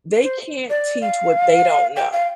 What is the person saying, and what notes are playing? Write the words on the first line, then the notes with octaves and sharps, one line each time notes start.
they can't teach what they don't know.
C5
D5
F5
G5
F5